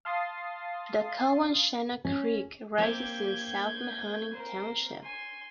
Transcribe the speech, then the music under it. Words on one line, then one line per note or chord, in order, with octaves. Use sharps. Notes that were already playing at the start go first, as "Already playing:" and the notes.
The Cowanshannock Creek rises in South Mahoning Township.
F5 A5 C6 D#6 A6 C7
C#4
A#3 C4 G4 G6 G#6
A#4 C5
G#5 C6